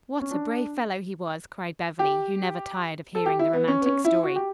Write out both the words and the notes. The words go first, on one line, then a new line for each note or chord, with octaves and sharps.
"What a brave fellow he was!" cried Beverly, who never tired of hearing the romantic story.
C#4
D4
G4
A4
G4
E4
B3
C#4
B3
C#4
E4
F#4
G4